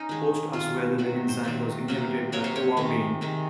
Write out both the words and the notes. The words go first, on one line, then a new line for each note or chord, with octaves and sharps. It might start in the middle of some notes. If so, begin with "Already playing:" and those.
Post asked whether the enzyme was inhibited by ouabain.
Already playing: C#4 D#4
D#3 G#3
D#3 G#3 F4
C3 D#3 F#3 F#4
C5
C3 D#3 F#3
C3 F#3 A#3
C3 F#3 A#3 C#5
C5
C#5
C3 D#3 G#3
C3 D#3 G#3